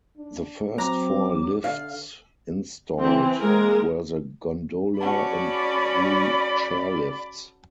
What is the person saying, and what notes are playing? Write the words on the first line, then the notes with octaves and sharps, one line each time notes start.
The first four lifts installed were the gondola and three chairlifts.
D4
F#3 C4 A#5 D6
D3 D5 F5
E3 C4
G#3 A#3 A#4
C#4 F#4 D5 F#5 A5 B5